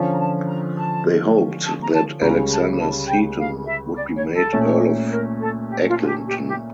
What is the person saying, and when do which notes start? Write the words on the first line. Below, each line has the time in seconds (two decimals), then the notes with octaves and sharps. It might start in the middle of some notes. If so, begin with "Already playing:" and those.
They hoped that Alexander Seton would be made Earl of Eglinton.
Already playing: D3 F3 C#4 F4
0.13 A#5
0.19 A5
0.48 A#5
0.77 A5
1.64 A5
1.81 A#5
1.93 A5
2.21 C#2 C#3 G3 C#4 A#5
2.51 A5
2.79 A5
3.08 G5
3.38 F5
3.66 E5
3.95 D5
4.15 C#5
4.33 A4
4.53 A#2 A3 C#4
5.04 C#5
5.11 A#4
5.39 A4
5.69 G4
5.88 F4
6.02 F4
6.08 G4
6.27 G4
6.47 G4